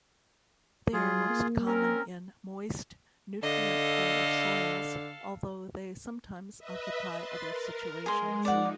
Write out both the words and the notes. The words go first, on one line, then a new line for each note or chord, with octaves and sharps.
They are most common in moist nutrient-poor soils although they sometimes occupy other situations.
F#3 F4 G#4
A#3
C4 C#4 A#4
D3 A4 D#5 F5
B4 D#5 E5
B4 C6 A6
A#4
G#3 G#4 C6
F3 D#4 D5 F#5